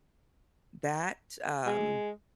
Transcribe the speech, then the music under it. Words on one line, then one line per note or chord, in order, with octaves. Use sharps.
that, um,
G#3